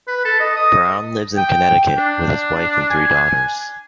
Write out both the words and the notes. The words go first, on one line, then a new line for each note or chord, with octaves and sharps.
Browne lives in Connecticut with his wife and three daughters.
B4
A4
D#5
D#6
G5
D4
G#5